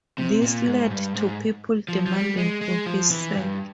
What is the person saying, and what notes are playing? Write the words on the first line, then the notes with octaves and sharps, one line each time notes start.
This led to people demanding for his sack.
C3
A#2
G#2
G2
G#2
F3
F3
G3
G#3
G#3
F3
E3
G2